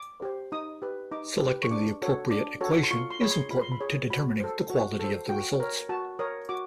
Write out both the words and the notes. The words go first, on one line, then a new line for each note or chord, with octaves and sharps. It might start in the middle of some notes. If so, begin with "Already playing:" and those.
Selecting the appropriate equation is important to determining the quality of the results.
Already playing: D6
G4 C5
D#4 D#6
G4 B4
D#4 D6
G4 B4
C#6
D4 D6
F#4 A4 C#5
D4 D6
F#4 A4 C#5
C6
F4 C#6
C6
G#4 C#5 B5
C6
F4 B5
C6
B5
G#4 C#5
F#4 B5
A4 C5
F#4
A4 C5
F#4 G5
A#4 C#5
F#4 A5
A#4 C#5 D#6
F#4 D6